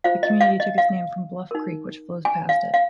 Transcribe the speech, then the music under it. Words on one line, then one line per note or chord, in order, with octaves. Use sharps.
The community took its name from Bluff Creek, which flows past it.
F4 C5 F5
D#5
F5
D#5
F5
D#4 A#4
G#5
F5
F5